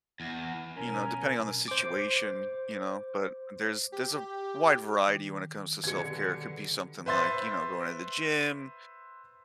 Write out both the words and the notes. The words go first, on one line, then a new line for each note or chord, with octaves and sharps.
you know, depending on the situation, you know, but there's there's a wide variety when it comes to self-care; it could be something like, you know, going to the gym,
E2
B1 C#4 A#4 G#5
C5 D6
G4
D#3
E2 B2 D3 G3 G#4 G#6 C#7
B4 C5 E5 C6 A6